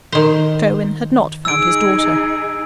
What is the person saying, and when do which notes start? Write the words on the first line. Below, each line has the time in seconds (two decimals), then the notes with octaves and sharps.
Sherwin had not found his daughter.
0.12 D#3 C5
1.45 D#4 G#4 E6 D7